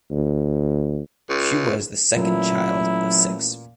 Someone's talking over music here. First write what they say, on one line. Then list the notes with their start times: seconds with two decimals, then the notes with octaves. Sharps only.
She was the second child of six.
0.10 D2
1.30 C#2
2.17 A1 A#2 F#3 E4 A#4